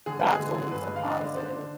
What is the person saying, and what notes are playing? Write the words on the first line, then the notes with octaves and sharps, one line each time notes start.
that's always a positive.
D3 G#4
G#3 B4
G#4
D3
D3
G2 B4
G#3
F5
D4
D#5
D3 D5
D4 C5
D4